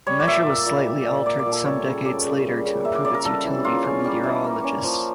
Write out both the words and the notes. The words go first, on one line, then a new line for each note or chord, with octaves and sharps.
The measure was slightly altered some decades later to improve its utility for meteorologists.
G3 C#5
D5
A#2 E5
D5
A#3
A#2
G3
A#2
A#3 D5
D5
A#2
A4
G3 C#5
C#3
A#3 D5
C#3
G3
C#3
A#3 E5
D5
C#3 D5
A#4
G3 A4
E3
A#3 F4
C#4
G3
E3
A#3
C#4
F3